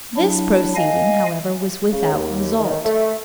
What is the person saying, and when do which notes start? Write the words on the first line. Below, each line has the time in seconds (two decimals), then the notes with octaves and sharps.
This proceeding, however, was without result.
0.17 F#3 D4 E4
0.76 D#5 F5 G#5
1.92 C#3
2.12 D#2
2.60 D#3
2.84 A3